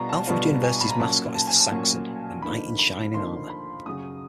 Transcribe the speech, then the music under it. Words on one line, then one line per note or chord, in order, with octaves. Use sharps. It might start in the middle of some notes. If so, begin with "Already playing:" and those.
Alfred University's mascot is the Saxon, a knight in shining armor.
Already playing: B2 G3 B3 D4 F4 A#5
A5
B2 G3 B3 D4 F4 A5
G#5
B5
A#5
A#2 F#3 A#3 C#4 A5
A5
G#5
A5
A#2 F#3 A#3 C#4
D#2 D3 F3 A#3 D#4 B5
B5
D#2 D3 F3 A#3 D#4 C6
B5
F#2 C#3 F#3 D#6